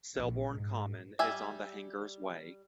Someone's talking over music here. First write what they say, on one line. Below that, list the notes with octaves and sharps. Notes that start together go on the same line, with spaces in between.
Selborne Common is on the Hangers Way.
A#1
G#2
G3 E5 G#5